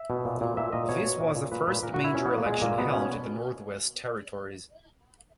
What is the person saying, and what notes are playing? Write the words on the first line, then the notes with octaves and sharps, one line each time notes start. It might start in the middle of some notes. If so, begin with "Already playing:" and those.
This was the first major election held in the Northwest Territories.
Already playing: E5
B2
A#2
A#2
A#2 E5
A#2 D#5
B2 C#5
B2
A#2
A#2
A#2 B4
A#2 B4
A#2 A#4
A#2 F#4
E4
B2 C#4
B3
B2
A#3
A#2 G#3
A#2 A#3
B2 B3
B2 C#4